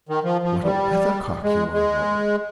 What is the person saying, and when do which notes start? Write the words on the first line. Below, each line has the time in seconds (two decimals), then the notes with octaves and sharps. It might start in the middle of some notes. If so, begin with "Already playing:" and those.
'What a weathercock you are, mother!
0.09 D#3
0.23 F3
0.43 F3
0.63 G3
1.43 G#3
1.73 G#3